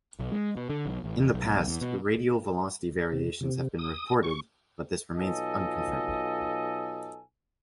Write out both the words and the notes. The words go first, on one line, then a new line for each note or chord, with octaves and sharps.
In the past, radial velocity variations have been reported, but this remains unconfirmed.
B1
G#3
B2
D3
B1
A1
E1
B1
B1
E2
B2
C3
C3
D#6
C#6
B1 F4 A4 D#5 G#5